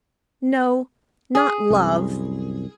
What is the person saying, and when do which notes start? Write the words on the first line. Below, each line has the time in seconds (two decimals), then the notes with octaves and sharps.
No: not love.
1.35 G#4
1.70 C2 F#2